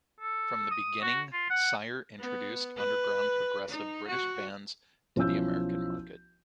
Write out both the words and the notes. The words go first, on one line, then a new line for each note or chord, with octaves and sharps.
From the beginning, Sire introduced underground, progressive British bands to the American market.
A4
D#6
F#4
F4
F#5
B3
B4
D#4
F#4
B1 F3 C#4 E4 E6 G6